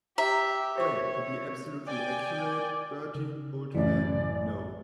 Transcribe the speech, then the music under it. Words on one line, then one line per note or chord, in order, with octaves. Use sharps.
Well, to be absolutely accurate, Bertie, old man, no.
G4 E5 A#5
C5 C#5 C#6
D5 G5 G#5
C#3
A1 F#2 A2 E3 D5